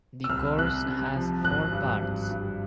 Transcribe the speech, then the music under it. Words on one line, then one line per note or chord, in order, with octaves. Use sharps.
The course has four parts.
E6
C2 F6
C2 F#6
C3
F3
G#1 F#6
G2
G#1
G2